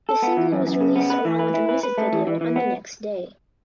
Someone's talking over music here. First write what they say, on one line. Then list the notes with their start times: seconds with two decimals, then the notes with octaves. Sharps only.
The single was released along with the music video on the next day.
0.09 A4
0.22 B3
0.37 E3
0.52 F#2
0.67 F#2
0.81 C#3
0.96 B3
1.10 B4
1.25 E3
1.39 B4
1.54 E4
1.69 B4
1.83 B4
1.98 A3
2.13 E3
2.27 E3
2.41 E3
2.56 B3